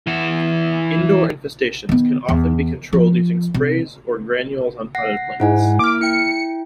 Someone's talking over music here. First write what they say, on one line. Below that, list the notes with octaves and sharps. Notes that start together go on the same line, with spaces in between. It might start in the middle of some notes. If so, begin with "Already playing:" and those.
Indoor infestations can often be controlled using sprays or granules on potted plants.
E3 F#5
D#3 B3
E2
F3
C3
F#5 A#6 C7
G#2 E4 F#5 G#5
A#3 E4 D6 F6
E4 G5 C#7